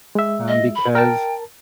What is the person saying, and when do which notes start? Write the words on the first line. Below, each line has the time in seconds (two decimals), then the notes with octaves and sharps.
Um, because
0.15 G#3 E5
0.48 D#5
0.75 B5
0.95 A#4 G5 A5